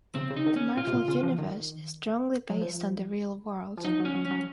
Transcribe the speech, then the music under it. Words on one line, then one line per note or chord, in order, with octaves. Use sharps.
The Marvel Universe is strongly based on the real world.
C#3 C4
C#3
D#4
D#3
C#4
A#2 F4
C3
A#2
C#3
F3
D#3
F#3
F3
F3
F#3 D#4
F#3
C#4
F#3
C#4
F#3